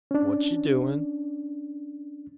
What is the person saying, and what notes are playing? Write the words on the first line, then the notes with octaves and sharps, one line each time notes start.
"What you doin'?"
C#4 D4